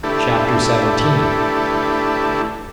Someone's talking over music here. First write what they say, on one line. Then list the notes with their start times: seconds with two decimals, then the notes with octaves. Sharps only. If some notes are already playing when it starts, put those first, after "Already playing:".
Chapter XVII.
0.03 A3 D4 E4 G4 A4 B4